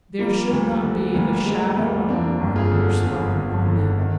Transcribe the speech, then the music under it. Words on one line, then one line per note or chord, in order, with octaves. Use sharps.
There should not be the shadow of a mark or spot on them.
F3 G3 A#3
D2
D3
D2 G3 A#3
D3 G#3
D2 G3 A#3
F2 A#3 D4
G1
F4 G#4
D3
G1 F4 G#4
G1
D3
D#3